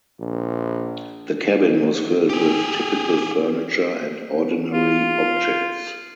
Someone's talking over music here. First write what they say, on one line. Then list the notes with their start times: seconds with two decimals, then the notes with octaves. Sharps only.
The cabin was filled with typical furniture and ordinary objects.
0.20 A#1
2.29 G4 G#4
4.73 F4